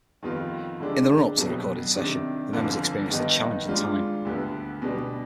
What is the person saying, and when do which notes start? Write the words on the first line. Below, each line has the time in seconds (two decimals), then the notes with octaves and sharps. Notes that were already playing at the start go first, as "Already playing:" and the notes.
In the run-up to the recording session, the members experienced a challenging time.
0.23 F2 D#3 G3 B3 F4
0.80 D3 G#3 D4 G4
1.37 B1 B2 G3 B3
1.95 C3 D#3 G3 D4
2.53 G1 F2 D3
3.09 G2 D#3 G3 B3 D#4
3.68 G#2 G3 D4 F4
4.25 D2 D3 G3 B3
4.82 B2 G3 D4